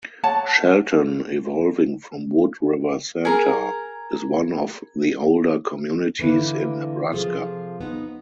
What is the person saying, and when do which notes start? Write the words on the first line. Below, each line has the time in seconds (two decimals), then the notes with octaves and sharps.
Shelton, evolving from Wood River Centre, is one of the older communities in Nebraska.
0.23 C#5 F#5 A5
3.25 G#4 A#4 A#5
6.19 D3 E3 A#3 E4 B4
7.12 C3 F3 B3 F4 G#4 A4
7.81 B3 D#4